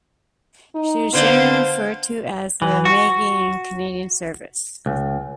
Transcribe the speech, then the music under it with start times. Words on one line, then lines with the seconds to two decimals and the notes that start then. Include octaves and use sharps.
She was generally referred to as the "Maggie" in Canadian service.
0.75 D#4
1.13 D3 B3 F4 C5 F5
2.62 E3
2.85 F#4
4.86 C#2